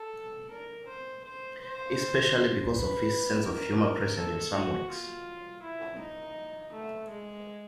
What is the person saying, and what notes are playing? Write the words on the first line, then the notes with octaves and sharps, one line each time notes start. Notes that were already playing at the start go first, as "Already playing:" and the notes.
Especially because of his sense of humor present in some works.
Already playing: A4
A#4
C5
C5
C5
B4
A#4
A4
F#4
F4
E4
D#4
A3
G#3